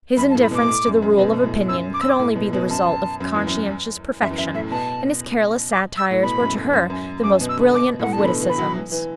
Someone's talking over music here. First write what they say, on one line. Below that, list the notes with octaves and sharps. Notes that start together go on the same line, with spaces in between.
His indifference to the rule of opinion could only be the result of conscious perfection, and his careless satires were to her the most brilliant of witticisms.
F#2 B5
A5
A2
B5
B2
D6
A2
F#2
F#2
B2
B2
A2
F#2 E6
D6
E6
D6
A2
B2
B2
F#2 A5
F#2
E2
F#2
F#2 E5
E2
F#2 E5
A2 E5
B2 A5
D6
E6
A2
B2 B5
F#2
F#2
F#2
F#2
F#2 D6
B2
E6
D3
B2 D6
A2 F#5
A5
D3
B2 B5
E3
B5
F#3
E3
E3